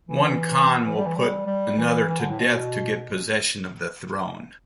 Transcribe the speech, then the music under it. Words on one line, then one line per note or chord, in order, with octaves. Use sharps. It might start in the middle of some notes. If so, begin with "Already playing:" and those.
One Khan will put another to death to get possession of the throne.
E3
E3
G3
E3
G3
G3
E3
E3
D3
A2
B2